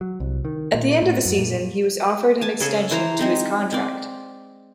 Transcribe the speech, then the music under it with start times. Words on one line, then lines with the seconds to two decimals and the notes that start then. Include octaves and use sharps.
At the end of the season he was offered an extension to his contract.
0.01 F#3
0.20 C2
0.45 D#3
0.74 A#2
1.02 A2
1.25 F#2
1.39 A#2
2.41 G#5 A5
2.60 C#3 G#4 A4
2.91 E3 C5 A#5
3.19 G#3 C4 D#4
3.72 C4 D5